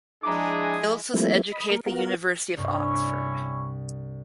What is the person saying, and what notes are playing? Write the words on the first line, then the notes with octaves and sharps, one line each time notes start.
Phillips was educated at the University of Oxford.
F3 G#3 D4 E4 G#4 A#5 D6
F3 G3 A3 A#3 C4 E4
D#5 B5
A#3 A#4
B3 F4 F#4 A#4
C2 G2 C3 C#4 E4 C#6